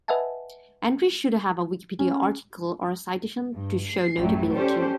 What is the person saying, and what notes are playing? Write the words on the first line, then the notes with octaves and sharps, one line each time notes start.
Entries should have a Wikipedia article or a citation to show notability.
B4 D#5 E5 F#5 G#5 A5
C#4
G2
C7
A1 F#2 F#3 G3 A3
C#4 G4 A4 C5 D5